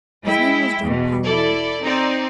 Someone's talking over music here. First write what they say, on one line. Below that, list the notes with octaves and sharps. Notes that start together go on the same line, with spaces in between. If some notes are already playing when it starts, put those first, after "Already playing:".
His name was John Palmer.
G#3 E4 G5
E2 B2
E4 A4 D5
C4 D#4 D5